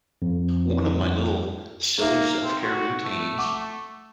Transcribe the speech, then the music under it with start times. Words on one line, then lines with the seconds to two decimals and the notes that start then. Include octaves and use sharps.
one of my little, silly self-care routines
0.22 F2
1.99 A#3 D#4 E5
2.44 C4
2.62 F#4
3.04 A3
3.38 F#5 C#6 D6